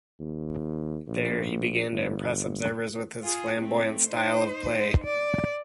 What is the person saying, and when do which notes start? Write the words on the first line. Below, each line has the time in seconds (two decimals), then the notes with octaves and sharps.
There, he began to impress observers with his flamboyant style of play.
0.19 D#2
1.08 A#1
1.92 G1
3.23 F4 G#4
3.59 A3 C4
4.09 D#4 C5
5.04 D5